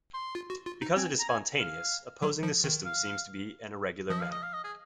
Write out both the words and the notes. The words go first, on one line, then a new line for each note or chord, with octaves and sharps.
Because it is spontaneous, opposing the system seems to be an irregular manner.
C6
F4
F#4
F4
D#4
C4 G#5
A#5
G#5
F5
F#3
F3
D#3
F5
F3 D#5
F5
D#5
F5
D#5
G#4